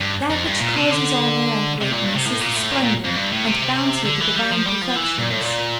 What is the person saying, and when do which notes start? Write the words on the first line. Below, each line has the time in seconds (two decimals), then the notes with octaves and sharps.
That which causes honor and greatness is the splendor and bounty of the divine perfections.
0.01 G2
0.30 F2
0.46 G2
0.60 A#2
0.76 C3
0.91 D3
1.81 C3
1.92 A#2
2.03 G2
2.15 C3
2.26 A2
2.41 A#2
2.56 A2
2.71 A#2
2.82 A#2
3.04 F2
3.16 G2
3.31 A2
3.46 C3
4.06 D3
4.21 E3
4.36 G3
4.52 F3
4.67 G3
4.82 F3
4.96 E3
5.19 A#2
5.30 A2
5.41 A#2